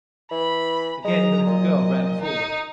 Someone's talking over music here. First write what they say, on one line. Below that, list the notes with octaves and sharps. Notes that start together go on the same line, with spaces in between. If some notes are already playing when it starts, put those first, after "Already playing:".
Again the little girl ran forward.
E3 B5
F#3 G#3 A#5
A#2 D#5
D#4